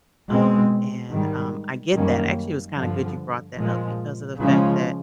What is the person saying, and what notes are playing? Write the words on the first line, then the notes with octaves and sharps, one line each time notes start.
um, and um, I get that actually, it was kinda good you brought that up because of the fact that
B2 G#3 C4
G#2 D#3 G3
F#2 D#3 G3 A#3 C#4
G2 D3 F3
A#2 F3 G#3
C#3 F3 G#3 C#4